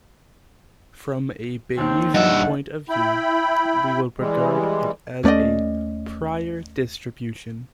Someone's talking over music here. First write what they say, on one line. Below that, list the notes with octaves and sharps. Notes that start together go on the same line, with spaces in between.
From a Bayesian point of view, we would regard it as a "prior distribution".
D#2 D#3 C4
G2 D#5 E5 F#5
E4 G5 B5
E3 G3 G#3
D#2 A3 C#4 D5 D#5